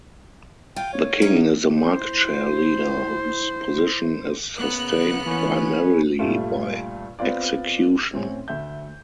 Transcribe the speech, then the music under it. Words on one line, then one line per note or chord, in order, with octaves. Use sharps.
The king is the market share leader whose position is sustained primarily by execution.
F4 G5
C#5
C#4 D#4
E4 C5
C#3 A#3 B3 F#6
E3 C#4 B4 C#5
G2 A#2 G3 A3 F4
B3 C4 F4 D5
A2 C4 C#4
D2 E5 G6